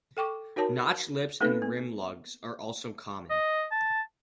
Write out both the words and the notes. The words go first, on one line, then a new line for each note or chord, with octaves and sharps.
Notched lips and rim lugs are also common.
A4 G5 C#6 D6
D#4 F#4 A#4 C#5 A5
A3 A#3 C4 D#4 A4 B4
B3
D#5
A5